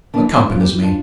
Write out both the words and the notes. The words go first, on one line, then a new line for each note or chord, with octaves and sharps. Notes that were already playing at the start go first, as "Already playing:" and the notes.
'Accompanies me.
E3 A#3 D4
C4 E4
E3 F4
E4 G4
D4 F4